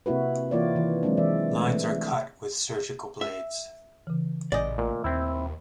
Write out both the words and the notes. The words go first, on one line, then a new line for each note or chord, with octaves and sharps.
Lines are cut with surgical blades.
C3 A#3 E4 F#4 B4
E3 A#3 E4 F4 C#5 D5
D#3 E3
F#3 G#3 C4 D4
E3 D5 E5
A3
E5
C#3 E3
A1 A#2 D5 D#5 G#5 G6
A#2 A3
D#2 C4 E4